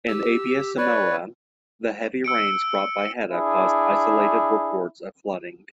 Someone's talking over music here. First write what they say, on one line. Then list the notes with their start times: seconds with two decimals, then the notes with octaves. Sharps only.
In Apia, Samoa, the heavy rains brought by Heta caused isolated reports of flooding.
0.08 G4 E6
0.77 B4 C#5 D5
2.24 E6 C#7 D7
3.33 D4 E4 G#4